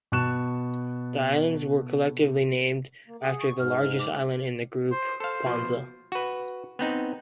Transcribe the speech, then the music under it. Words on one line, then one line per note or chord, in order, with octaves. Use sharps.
The islands were collectively named after the largest island in the group, Ponza.
B2 A5 C#6 F#6 E7
A#3
G#4 F#5
C#6
G#2 F6
D6
C5
A4 C5 F5
B2 F3
F#4 B4
B3 C4 D#4